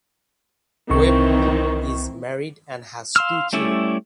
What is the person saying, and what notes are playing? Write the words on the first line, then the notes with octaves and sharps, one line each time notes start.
Webb is married and has two children.
C2 D#3 E3 C4 C#6
F5 C6 E6 F6
G3 A3 C#4 E4 D5